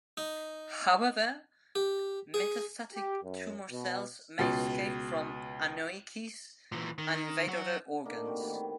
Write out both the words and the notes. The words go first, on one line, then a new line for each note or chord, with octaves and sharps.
However, metastatic tumor cells may escape from anoikis and invade other organs.
D#4
G4
G#4
G4
F#2
B2
C#2 B2 A6
A#2 E3
D#3
F#3 F#4
D3 A#3 D#4 G#4
G3 C4 F#4
A2 E3 G3
D#3 G3